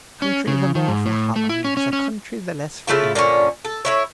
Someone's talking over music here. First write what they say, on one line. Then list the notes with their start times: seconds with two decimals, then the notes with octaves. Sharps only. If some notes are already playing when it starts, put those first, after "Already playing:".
A country the more for Holland was a country the less for England.
0.22 C#4
0.47 C#3
0.75 D#3
0.88 G#2
1.06 A2
1.36 A3
1.49 E4
1.64 C#4
1.77 C#4
1.93 C#4
2.87 C#3 A3 E4 F4
3.15 A#2 D3 A#3 C#4
3.65 A4
3.85 A2 E4 C#5